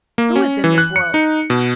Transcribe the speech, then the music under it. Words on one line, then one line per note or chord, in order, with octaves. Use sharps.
"Who is in this world?"
A#3
C#4
E3
F#6
C#7
D#4
B2